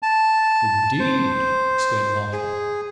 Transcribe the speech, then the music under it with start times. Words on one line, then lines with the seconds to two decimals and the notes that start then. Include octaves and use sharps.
"Indeed!" exclaimed Marchmont.
0.03 A5
1.00 C5
2.33 G#4